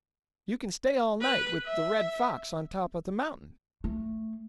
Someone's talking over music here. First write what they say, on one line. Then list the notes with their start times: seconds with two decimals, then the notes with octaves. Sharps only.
"You can stay all night with the Red Fox on top of the mountain."
1.21 B4
1.65 E5
3.84 A3